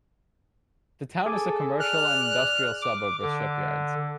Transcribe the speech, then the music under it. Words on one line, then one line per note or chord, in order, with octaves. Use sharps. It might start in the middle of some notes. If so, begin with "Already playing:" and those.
The town is a commercial and industrial suburb with shipyards.
G#4 A4 G#5 D6
D5 F6 F#6
D6
D3